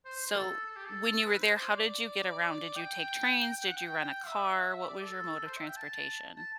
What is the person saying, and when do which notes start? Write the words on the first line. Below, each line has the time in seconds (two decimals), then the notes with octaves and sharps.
So, when you were there, how did you get around? Did you take trains? Did you rent a car? What was your mode of transportation?
0.05 C5
0.16 C5
0.26 C5
0.36 A4
0.66 A4
0.76 G4
0.87 A4
1.26 B4
1.41 C5
1.56 C5
1.71 D5
2.46 D5
2.76 G5
3.67 F#5
3.76 G5
3.86 G5
4.26 E5
4.87 D5
5.02 A4
5.46 C5
5.57 E5
5.66 G5
5.77 A5
6.37 A5